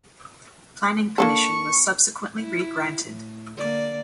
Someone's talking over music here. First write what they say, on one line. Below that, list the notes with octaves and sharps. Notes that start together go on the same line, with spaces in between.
Planning permission was subsequently re-granted.
A#3 D4 A4 C#6
E4
A2
D3 A#3 D5